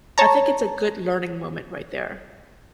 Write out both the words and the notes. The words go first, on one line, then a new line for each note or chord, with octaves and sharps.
I think it's a good learning moment right there.
C#5 A5 A#5